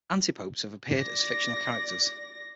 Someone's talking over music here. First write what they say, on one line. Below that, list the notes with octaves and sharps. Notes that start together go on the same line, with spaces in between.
Antipopes have appeared as fictional characters.
D5 A#6